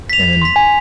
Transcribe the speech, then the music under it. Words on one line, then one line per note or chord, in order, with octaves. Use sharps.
and then
B6 F7
C6 B6
G#5